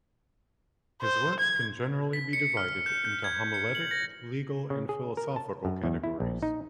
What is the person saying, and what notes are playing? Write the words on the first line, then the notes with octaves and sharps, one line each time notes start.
His works can generally be divided into homiletic, legal, and philosophical categories.
C5
G#6
B6
C#7
F6
G6
G6
G#6
C#7
F#7
A#6
C#3
G#4
A#4
A5
F#2
E2
E4
A#1
D#4